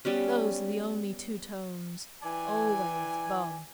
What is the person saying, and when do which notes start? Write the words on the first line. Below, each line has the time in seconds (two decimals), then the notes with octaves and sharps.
Those are the only two tones. Always bum!
0.05 G3 B3 C#4
2.22 E3 D5 G5 G#5